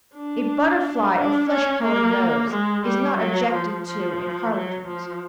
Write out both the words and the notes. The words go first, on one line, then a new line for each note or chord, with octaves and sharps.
A butterfly or flesh-coloured nose is not objected to in harlequins.
D4
D4
C#4
A#3
G#3
G3
F#3
F3
F3
F#3
F3